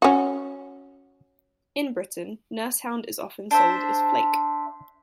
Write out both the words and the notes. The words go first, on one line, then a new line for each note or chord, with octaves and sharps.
In Britain, nursehound is often sold as flake.
C#4 F#4
D4 C5 E5